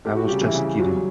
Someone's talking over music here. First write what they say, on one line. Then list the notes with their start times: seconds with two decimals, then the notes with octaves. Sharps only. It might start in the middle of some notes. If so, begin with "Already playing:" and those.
I was just kidding!
0.06 A3 G4
0.17 F#4
0.28 C#3 G3 G4
0.42 E3 E4
0.54 C#3
0.79 F#3 G3 F#4